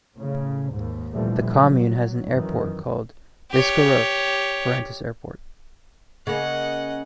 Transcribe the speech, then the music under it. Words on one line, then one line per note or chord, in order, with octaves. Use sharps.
The commune has an airport, called Biscarrosse - Parentis Airport.
A2 C#3
D#2 G#2
A#2 D3 E3 F3 G3 A3
F#3
F#2 D#3 E3
G4 C#5
C#3 A#3 D#5 F#5